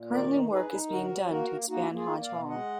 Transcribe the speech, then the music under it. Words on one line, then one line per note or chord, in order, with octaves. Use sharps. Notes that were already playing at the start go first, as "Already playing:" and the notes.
Currently work is being done to expand Hodge Hall.
Already playing: A#2
D#3 A#4 D5
D#4
D#4 G#4 B4
D#4
D3 F#4 A#4
F#3
A#3 F#4 A#4
A#3
A#3 D#4 F#4
A#3
F4 G#4
A#3
D5 F5
B2
G#3 D#5 F#5